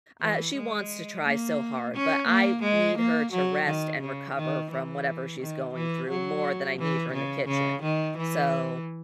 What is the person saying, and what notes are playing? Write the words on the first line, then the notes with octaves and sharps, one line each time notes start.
uh, she wants to try so hard, but I need her to rest and recover from whatever she's going through more than I need her in the kitchen. So,
E3
G#3
A#3
C#4
A#3
G#3
A#3
F#3
D#3
C#3
D#3
E3
D#3
E3
F#3
E3
C#3
C#3
D#3
E3